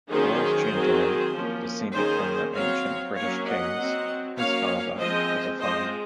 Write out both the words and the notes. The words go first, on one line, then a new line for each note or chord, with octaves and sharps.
A Welsh gentleman, descended from the ancient British kings, his father was a farmer.
D#3 F#3 A#3 C#4 G#4 C5
D#3 F#3 C4
F3 A#3 C#4
D#3 A#3 C#4 G#4 C5
F#3 C4 C#5 F5
F#3 A#3 C#4 C#5 F5
D#5 F#5
F#3 C4
F#3 A#3 C#4 C#5 F5
F3 G#3 C4 C5 D#5
F3 G#3 C4 C5 D#5